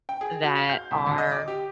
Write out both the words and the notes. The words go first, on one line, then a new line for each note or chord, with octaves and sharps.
that are
G5
G#4
F#4
F5
G6
C2
D2
D#5
D6
G4